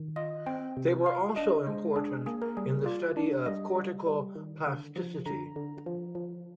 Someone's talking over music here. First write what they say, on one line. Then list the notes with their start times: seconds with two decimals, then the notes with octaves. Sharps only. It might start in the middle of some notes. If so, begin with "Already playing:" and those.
They were also important in the study of cortical plasticity.
Already playing: D#3
0.16 F4 D#5
0.46 C4 G5
0.77 C3
1.06 F4 F5
1.36 D4 D#5
1.67 G#3 C5
1.96 D4 G#4
2.26 A#3 G#4
2.42 A#4
2.57 G3 G#4
2.86 F4 D5
3.17 D4
3.46 G3 D#5
3.75 G3
4.07 G3
4.35 D#3
4.66 D3
4.96 F3
5.26 D3 A#5
5.56 D3
5.86 F3
6.15 F3